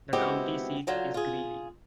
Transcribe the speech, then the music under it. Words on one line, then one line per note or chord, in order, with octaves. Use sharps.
The county seat is Greeley.
G#3 B3 C4 E4 F#4 G4
D3 F#3 F4
F4 G#4